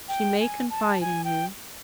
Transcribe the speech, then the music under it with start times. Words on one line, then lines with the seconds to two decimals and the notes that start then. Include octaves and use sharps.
She may confide in you.
0.08 G5
0.40 G#5
0.70 A5
1.01 G#5
1.24 G5